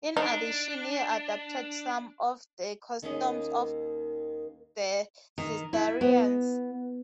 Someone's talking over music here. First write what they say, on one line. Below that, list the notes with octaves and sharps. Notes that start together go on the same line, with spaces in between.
In addition he adapted some of the customs of the Cistercians.
D4 D#4
D#2 D#3 A#3 C#4 G#4 D#5
D#3
E4
B3